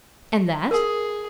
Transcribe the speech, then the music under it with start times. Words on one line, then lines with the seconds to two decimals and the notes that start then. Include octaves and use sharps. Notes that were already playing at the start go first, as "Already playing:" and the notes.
"And that?"
0.71 G#4 A#4